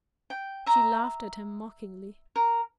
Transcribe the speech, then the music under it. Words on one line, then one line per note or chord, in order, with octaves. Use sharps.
She laughed at him mockingly.
G5
E5 A#5
A#4